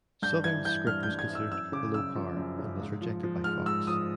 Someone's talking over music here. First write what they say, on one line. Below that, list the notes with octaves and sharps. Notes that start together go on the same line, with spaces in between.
Southern's script was considered 'below par' and was rejected by Fox.
G2 G6
E3 G#6
E3 G6
G2 F6
G6
G2
G#6
E3
E6
F#2 E6
C#3 D6
F#2 E6
F3
F#2
C#3
G#2
F3
F3
G#2 F6
G#2 E6
F3 D#6